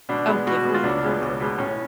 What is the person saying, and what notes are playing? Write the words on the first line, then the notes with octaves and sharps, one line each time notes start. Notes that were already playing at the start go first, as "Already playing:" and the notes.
Oh, give me the poker!
B2 D4
G#3 B3
B2 F#4
G#3 B3
F4
C#2 D4
B2 G#3 B3
C#2
B2 G#3 B3
A2 C#4